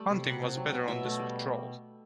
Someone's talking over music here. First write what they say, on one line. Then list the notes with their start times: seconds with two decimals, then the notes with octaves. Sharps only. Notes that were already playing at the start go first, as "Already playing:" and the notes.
Hunting was better on this patrol.
Already playing: G3 A3
0.10 C3
0.26 C3 F#5
0.42 C4
0.57 F#3
0.72 B2
0.88 B2 E5
1.04 A3
1.19 G3